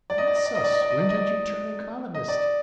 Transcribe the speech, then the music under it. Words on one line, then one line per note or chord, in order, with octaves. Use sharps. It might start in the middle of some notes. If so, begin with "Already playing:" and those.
"Bless us! when did you turn economist?"
D5
D#5
D5
D#5
D5
D#5
D5
D#5
D5
D#5
D5
D#5
D5
D#5
D5